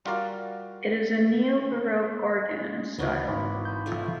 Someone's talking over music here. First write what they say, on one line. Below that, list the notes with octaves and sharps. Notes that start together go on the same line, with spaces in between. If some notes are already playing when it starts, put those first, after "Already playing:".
It is a neo-baroque organ in style.
G3 F4 F#4 A#4 D5 F5
G#3
D2 C#3 E3 F#3 B3
G#1 B5
B5 G6
A3 E4 F4